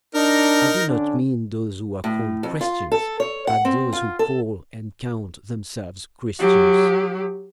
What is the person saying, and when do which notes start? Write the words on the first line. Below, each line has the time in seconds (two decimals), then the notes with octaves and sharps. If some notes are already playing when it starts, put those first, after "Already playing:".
I do not mean those who are called Christians, but those who call and count themselves Christians.
0.15 D4 D#4 A#4
0.88 D3 C#4 D4
2.04 A2
2.43 F2
2.61 F4
2.92 A4
3.20 C#5
3.47 F#5
3.65 C4
3.93 F4
4.19 A4
6.39 F#3 G4